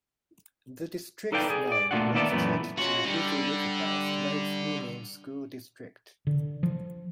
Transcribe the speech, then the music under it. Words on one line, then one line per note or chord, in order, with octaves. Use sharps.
The district's name was changed to Hughes-Elizabeth Lakes Union School District.
D#4 A4 B4 D5 F5 G5
G#4
D5
A#2 A3 D4 F4 F#4 F#5
D#3 A#3 B3 A4 D5 E5
F#2 A#2 E3 A3 B3
C#4 F4 F#4
D3 G3
D3
F3